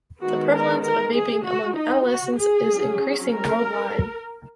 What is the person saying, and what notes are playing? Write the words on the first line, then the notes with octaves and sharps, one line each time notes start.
The prevalence of vaping among adolescents is increasing worldwide.
D#3 G#3 B3 F#4
A#4
A#4
G#4
F#4
D#4
F#4
G#4
F#3 C#4
A#4